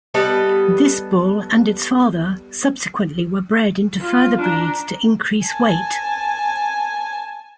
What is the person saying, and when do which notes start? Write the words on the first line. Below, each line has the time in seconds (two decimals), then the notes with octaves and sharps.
This bull and its father subsequently were bred into further breeds to increase weight.
0.14 G3 B3 A4 D#5
4.00 F4
4.42 D4 A#5
5.46 G#5 A5